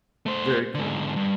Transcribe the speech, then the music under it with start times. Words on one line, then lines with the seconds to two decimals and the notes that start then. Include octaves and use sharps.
Very cool.
0.26 A3 C5
0.75 G#2 D3
1.16 G2